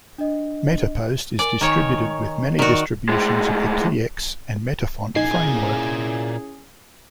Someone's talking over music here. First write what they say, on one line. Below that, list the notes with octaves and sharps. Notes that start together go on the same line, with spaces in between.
MetaPost is distributed with many distributions of the TeX and Metafont framework.
D4 D#5
A#4 D5 G#5
D#3 C#5 G#5 A#5 C#6
D#3 F#4 A#4 D5
A2 G#3
A#1 A#2 C#4 D#4 E4 G#4 G#5 C7